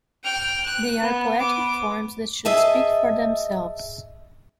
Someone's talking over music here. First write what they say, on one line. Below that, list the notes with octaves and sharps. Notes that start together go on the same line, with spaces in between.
They are poetic forms that should speak for themselves.
G5 F6
F#6
B3
B3 D6
G#4 D#5 E5 A5